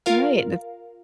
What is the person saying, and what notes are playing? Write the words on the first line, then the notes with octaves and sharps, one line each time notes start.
Right. That's
F4 A#4 F5